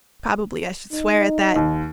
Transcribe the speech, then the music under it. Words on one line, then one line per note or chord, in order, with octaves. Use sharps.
Probably I should swear at that.
D#4
D#2